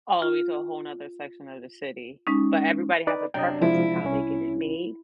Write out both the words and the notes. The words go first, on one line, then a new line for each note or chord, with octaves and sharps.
all the way to a whole 'nother section of the city. But, everybody has a preference in how they get it made,
F4
G#3 C#4 D#4
D#4 B4 D5
F#2 C3 D4 D#5 G5
C3 F3 G#3 E4
C2 C#4